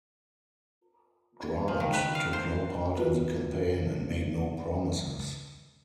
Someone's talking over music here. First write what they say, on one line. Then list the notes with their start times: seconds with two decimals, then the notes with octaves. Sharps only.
Grant took no part in the campaign and made no promises.
1.68 F3
1.80 D#3
1.93 B4
2.15 F5
2.33 C5
2.97 B3 F4 F#4 B4